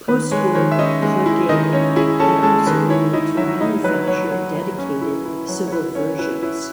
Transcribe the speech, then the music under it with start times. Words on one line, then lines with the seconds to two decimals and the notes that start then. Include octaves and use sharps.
Postwar, Breguet had also begun to manufacture dedicated civil versions.
0.08 D#3 B4
0.31 G#3 C#5
0.55 D#3 C#5
0.71 E5
0.79 C#4 D#4 D#5
1.02 G#3
1.26 E4
1.49 D#3 D#4 D#5
1.72 C#4 C#5
1.96 E4 G#4 G#5
2.20 C#4 A4 A5
2.42 G#3 A4 A5
2.66 D#3 B4
2.90 E4 C#5
3.13 D#4 E4 D#5
3.37 F#3 E4 E5
3.60 D#4 E4 D#5
3.84 F#3 B4
4.07 F#3 C#5
4.31 F#3 C#5
4.55 F#3
4.78 C#4
5.01 E4
5.25 E4
5.48 F#3
5.68 C#5
5.72 E4 B4
5.95 C#4 C#5
6.19 E4 B4
6.42 E4 C#5